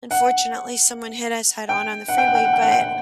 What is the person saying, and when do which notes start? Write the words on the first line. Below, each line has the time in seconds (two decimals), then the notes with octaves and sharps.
unfortunately, someone hit us head-on on the freeway, but
0.11 F#5
1.69 G5
2.08 F#5
2.18 G5
2.27 F#5
2.35 G5
2.45 F#5
2.53 G5
2.62 F#5
2.71 G5
2.81 F#5